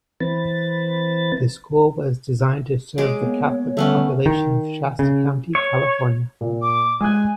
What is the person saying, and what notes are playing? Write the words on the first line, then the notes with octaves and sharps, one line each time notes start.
The school was designed to serve the Catholic population of Shasta County, California.
E3 C4 B4 A6
G#3 C#5 D6
A#3 B3
D3 G3 A3 B3 C#4 E6
D#3
C#3
C#5
A#2
D6
G#3 G#5 D#6 F#6